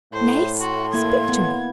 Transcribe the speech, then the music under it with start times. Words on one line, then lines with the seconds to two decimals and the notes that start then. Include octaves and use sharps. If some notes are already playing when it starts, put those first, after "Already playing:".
Nace! speak to me!
0.14 A2 C5
0.61 F#4 C6
0.94 A#3 E4 G#6
1.29 B3